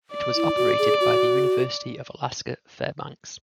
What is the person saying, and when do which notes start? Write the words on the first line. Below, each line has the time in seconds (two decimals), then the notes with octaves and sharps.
It was operated by the University of Alaska Fairbanks.
0.13 D5
0.35 E4
0.57 F#4
0.79 G#4
1.01 F#4